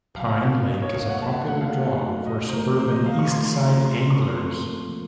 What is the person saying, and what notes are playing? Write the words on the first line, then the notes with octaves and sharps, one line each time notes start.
Pine Lake is a popular draw for suburban eastside anglers.
F#3 F5
A#3 D#4 A#4
F#3 D#5
C#5
A#3 D#4 A#4 F5
F#5
F#3 A5
A3 D#4 F#4 A4 F#5
F5
F#3
A3 D#4 F#4 A4
C3 D#5
C5
F3 A3 A#4
C3 C5
D#5
F3 A3 F5
C#6
A3 C6
C6
C4 F4 A4 A#5
A#5
A3 C6
C4 F4 A4 C#6
F3 C6
A#3 F4 A#4
F3